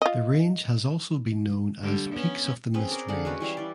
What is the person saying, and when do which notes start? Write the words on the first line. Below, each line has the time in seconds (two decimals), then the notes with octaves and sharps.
The range has also been known as Peaks of the Mist Range.
0.02 F4 D#5
1.83 D3 G3
2.13 B3 C#4
2.74 C4 C#4 G#4 B4
2.91 A#4 D5
3.08 D3 G#4 F5 F#5
3.25 G#3 C#4 F#4 B4
3.40 E3 G3 E4 F5
3.57 E3 D5